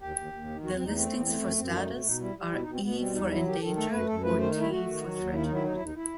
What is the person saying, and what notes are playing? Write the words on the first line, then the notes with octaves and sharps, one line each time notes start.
The listings for status are E for endangered or T for threatened.
D#2 G4
D#2
D#2
D#3
E2 F#4
C4
E2 D#4
A3 C4
E2
A3
F#2
F#2 C4
A3 D#4
B2
B2 D#4
G3 E4
G3
B2 E4
D#4
B2 C4
B2 B3
G3 C4
E2 D#4
F#3 E4
D#3 G4
D#3 A4
A3 A4
F#2 B4
F#2 A4
A3 B4
D#3 C5
D#4
A3
E4
A3 F#4
D#3
F#3
D#2
D#3 E4
D#4
F#3
E4
D#2 D#4
E4
D#2 D#4
E4